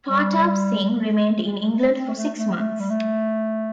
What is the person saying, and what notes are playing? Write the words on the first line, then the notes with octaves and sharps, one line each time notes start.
Partap Singh remained in England for six months.
G3
A3
G3
A3
C4
A3
A3
A3
G3
A3